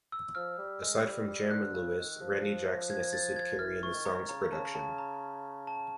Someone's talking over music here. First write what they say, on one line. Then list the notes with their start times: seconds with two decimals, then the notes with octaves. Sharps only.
Aside from Jam and Lewis, Randy Jackson assisted Carey in the song's production.
0.12 E6
0.35 F3 F6
0.58 G3
0.82 G#3
1.05 G3
1.28 G3
1.51 D3 F#6
1.74 C#3
1.97 D#3
2.21 F3
2.90 G#6
3.13 A6
3.36 G#6
3.59 E3 F6
3.83 E3 C#6
3.94 D#3
4.06 A#5
4.28 C#3 A#5
4.52 C#3 A5
4.75 C#3 A5
4.98 A#5
5.67 A5